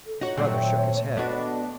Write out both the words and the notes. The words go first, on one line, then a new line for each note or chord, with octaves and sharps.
His brother shook his head.
A4
D#4 F#4 C#5 F#5
A#2 D#3 F#3 A3 C4
A3 B3 D4 F#4 D#5